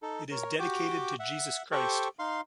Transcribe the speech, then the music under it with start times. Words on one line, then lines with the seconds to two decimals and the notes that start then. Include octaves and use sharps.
It is dedicated to Jesus Christ.
0.02 D#4 A4
0.31 A#4 C#5
0.59 F#4 G4 G5 D6
1.20 E5 F#5
1.72 G4 A4 C5 G5 C#6
2.19 D#4 F5 C6